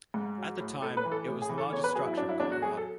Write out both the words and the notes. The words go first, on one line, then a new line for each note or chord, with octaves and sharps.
At the time, it was the largest structure in Colorado.
G#2
F#3
A2
A2 A4
B4
E3
A4
A2
G#4
E3
A4
E2 C#5
B4
F#3 G#4
E4
F#3 D4
E4
E2 D4
F#4
F#3 G#4
A4